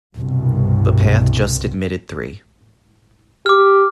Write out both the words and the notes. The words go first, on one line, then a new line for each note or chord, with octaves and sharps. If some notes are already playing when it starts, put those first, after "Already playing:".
The path just admitted three.
C2 G2 B2
G4 D6 F6